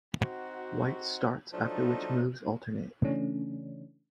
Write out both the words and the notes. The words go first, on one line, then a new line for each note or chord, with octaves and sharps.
White starts, after which moves alternate.
C4 D#4 F#4
F3 F#3 A3 D4 D#4
C#3 E3 A3 C#4 D4